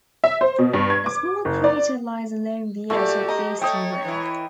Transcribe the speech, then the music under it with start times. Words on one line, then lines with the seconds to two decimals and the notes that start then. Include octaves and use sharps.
A small crater lies along the edge of the eastern rim.
0.24 E5
0.41 C5
0.59 B2
0.73 G2
0.90 G#6
1.06 D6
1.45 F#1
1.64 D5
2.90 A#2 A3 F#4 G4
3.28 D#5 A#5
3.61 A3 C#5 D#5 G5
4.05 E3 E4